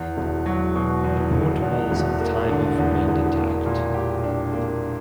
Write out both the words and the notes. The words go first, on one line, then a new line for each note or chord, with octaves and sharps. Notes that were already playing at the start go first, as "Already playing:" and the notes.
The port walls of the time have remained intact.
Already playing: E2
E1
F#3
B2
E2
E1
E2
E1
A#3
D3
E2
E1
A#3
A#2
G4
D4
A#3